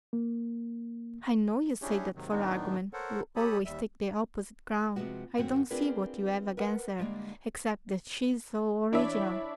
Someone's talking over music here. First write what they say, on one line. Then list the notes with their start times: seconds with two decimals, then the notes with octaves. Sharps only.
"I know you say that for argument; you always take the opposite ground. I don't see what you've against her except that she's so original."
0.13 A#3
1.82 C#4 D4 E4 G4 G#4 C#5
2.15 G#2 C3 D#3 F#3
2.30 A2 D#3 B3 D4 D#4
2.93 A4 A#4 C5 C#5 F#5
3.36 G4 A4 C#5 A5 B5 D#6
3.65 D#2 G3 E5
4.96 C3 F3 G#3 B3 F#4
5.37 F#2 D3 C4 F#4
5.71 C4 D4 F4 G#4 A#4 B4
6.57 A#4 B4 E5 F#5
6.98 D3 E3 G3 G#3 A#3
8.92 E3 D4 E4 C#5 D5 E5